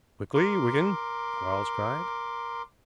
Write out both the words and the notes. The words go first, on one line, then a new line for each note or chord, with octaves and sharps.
"Quickly, Wigan!" Quarles cried.
A#4 C6 D6